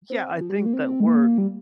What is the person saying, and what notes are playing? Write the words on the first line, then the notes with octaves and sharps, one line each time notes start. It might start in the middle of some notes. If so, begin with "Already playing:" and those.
yeah. I think that we're
C4
F3
G3
G#3
A#3
C4
G#3
A#3
G3